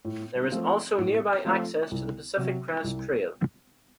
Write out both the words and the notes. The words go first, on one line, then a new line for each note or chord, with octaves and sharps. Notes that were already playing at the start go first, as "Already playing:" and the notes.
There is also nearby access to the Pacific Crest Trail.
A2
F3 A3 C4 F4
A2
F3 A3 C4 F4
C2
C3 F#3
C2